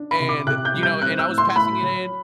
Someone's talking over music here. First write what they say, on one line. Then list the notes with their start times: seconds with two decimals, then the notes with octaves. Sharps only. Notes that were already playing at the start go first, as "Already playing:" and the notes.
And, you know and I was passing it in
Already playing: D4
0.11 B5
0.20 C3
0.29 D6
0.47 C3 F#6
0.65 G6
0.74 G3
0.83 G6
1.01 C4 F#6
1.19 E6
1.29 A2
1.38 C6
1.56 A2 B5
1.83 F#3